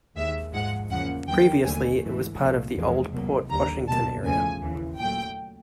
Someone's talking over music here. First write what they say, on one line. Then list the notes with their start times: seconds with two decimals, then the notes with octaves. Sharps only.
Previously, it was part of the old Port Washington area.
0.16 D#2 D#3 G#3 E5
0.53 G#2 F3 G#3 F#5
0.90 E2 C#3 F3 A#3 F#5
1.28 D#2 D3 F#3 A#3 G5
1.64 D#2 D3 F#3 A3 G#5
2.02 G#2 E3 A3
2.39 C2 A#2 F3 A3
2.76 E2 C3 F3 G#3
3.13 C2 B2 F#3 A#3
3.50 D#2 D3 G3 A#5
3.88 C#2 B2 F#3 A#3 A5
4.24 E2 C#3 F3 A3 G#5
4.62 D#2 C#3 E3
5.00 A#2 F#3 A3 G5